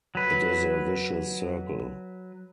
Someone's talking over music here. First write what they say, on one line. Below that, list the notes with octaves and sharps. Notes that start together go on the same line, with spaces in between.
It is a vicious circle.
F#3 B4